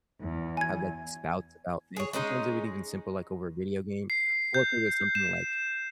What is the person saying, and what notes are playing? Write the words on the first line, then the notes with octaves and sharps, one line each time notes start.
have, like, these spouts about things, sometimes it would even simple, like, over a video game or if it was something like,
E2
G#5 G#6
G#4 C#5
G#3 C#4 D#4 G#4
C7
G6
E7